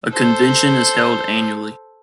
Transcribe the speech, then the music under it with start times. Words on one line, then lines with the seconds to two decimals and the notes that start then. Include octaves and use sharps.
A convention is held annually.
0.13 A4 C5